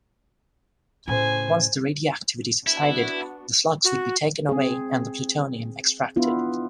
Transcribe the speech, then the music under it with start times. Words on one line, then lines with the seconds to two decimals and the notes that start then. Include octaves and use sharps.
Once the radioactivity subsided, the slugs would be taken away and the plutonium extracted.
1.08 A2 C#3 C5 G#5
2.67 B3 D4 E4 F#4
3.84 F#4
4.49 C4 G#4
6.16 B3 D4 E4 F4